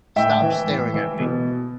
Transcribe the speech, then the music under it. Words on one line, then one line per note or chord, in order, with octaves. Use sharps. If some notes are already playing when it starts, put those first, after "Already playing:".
Stop Staring at Me!
A2 E5 G5
E3
A2
E3
B2